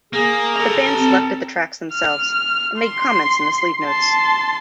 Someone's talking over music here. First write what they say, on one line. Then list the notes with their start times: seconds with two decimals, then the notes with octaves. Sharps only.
The band selected the tracks themselves, and made comments in the sleeve-notes.
0.13 A#3 G#4
0.56 A4 A#5
0.97 C4
1.92 F6
2.78 C6
3.83 A5 C6